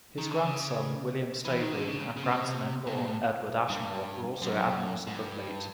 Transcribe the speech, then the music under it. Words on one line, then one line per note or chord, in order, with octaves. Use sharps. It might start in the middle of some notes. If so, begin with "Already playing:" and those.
His grandson William Staveley and grandson-in-law Edward Ashmore were also Admirals of the Fleet.
D#3
D3
C#3
E3
D#3
D3
C#3
C#3
C3
C3
B2
A#2
A2
G2
F#2
G#2
G2